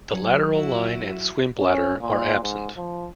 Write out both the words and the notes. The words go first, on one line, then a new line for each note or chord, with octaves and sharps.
The lateral line and swim bladder are absent.
F#3
E4 F#4
C#4
A#2
G#2
F3